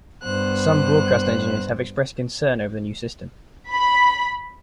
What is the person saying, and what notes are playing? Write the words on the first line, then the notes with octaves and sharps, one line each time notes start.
Some broadcast engineers have expressed concern over the new system.
G2 B3 C5 F#6
B5